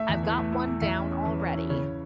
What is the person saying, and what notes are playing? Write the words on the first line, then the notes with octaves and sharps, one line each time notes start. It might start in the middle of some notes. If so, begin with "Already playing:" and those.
I've got one down already,
Already playing: A3 E5
E2
E3
A3
E4
A3
E2 E5
C#4
C#4
E3
C#4
E4
C#3 C#5
C#3